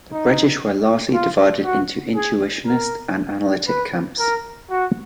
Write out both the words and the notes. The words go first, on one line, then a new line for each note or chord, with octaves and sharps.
The British were largely divided into intuitionist and analytic camps.
D#4
F4
F#4
G#4
A#4
B4
A#4
F#4